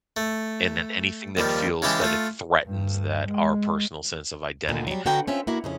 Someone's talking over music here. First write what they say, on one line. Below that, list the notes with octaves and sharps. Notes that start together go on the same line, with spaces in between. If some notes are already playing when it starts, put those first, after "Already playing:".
And then anything that feels that it threatens that our personal sense of identity,
A3
D#2 F3 G3
C#3 E3 G#3 G4 A5
A3 F4
G2
G#3
D2 A#2 D3 D#3
F#3 G3
D3 F#4 B4 G5 A#5
C4 C#4 F4 E5
A#3 E4 F#4
F2 C#3 C#4